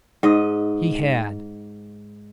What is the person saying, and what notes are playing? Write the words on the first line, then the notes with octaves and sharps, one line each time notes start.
He had.
G#2 D#5